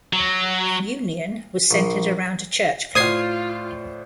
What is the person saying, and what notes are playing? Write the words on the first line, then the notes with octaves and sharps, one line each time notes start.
Union was centred around a church club.
F#3
A#1
A2 F4 C5 D5 D#6 G#6 C7